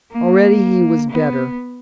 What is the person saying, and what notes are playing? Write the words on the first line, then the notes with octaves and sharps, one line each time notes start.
Already he was better.
A#3
B3